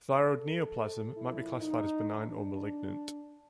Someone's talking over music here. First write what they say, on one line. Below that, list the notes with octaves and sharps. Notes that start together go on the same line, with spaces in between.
Thyroid neoplasm might be classified as benign or malignant.
A4
A#2 F3 E4
D#4
D4